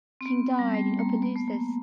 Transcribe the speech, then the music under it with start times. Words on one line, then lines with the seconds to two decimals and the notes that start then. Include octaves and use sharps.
King died in Opelousas.
0.21 C4
0.26 B3
0.59 G3
0.74 A3
0.99 A#3
1.23 B3
1.36 A3
1.48 A#3